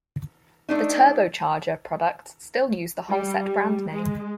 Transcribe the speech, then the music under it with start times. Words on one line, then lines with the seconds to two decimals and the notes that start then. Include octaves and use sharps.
The turbocharger products still use the Holset brand name.
0.69 A3 D4 D#4
3.08 G3
3.45 G3
3.90 G#3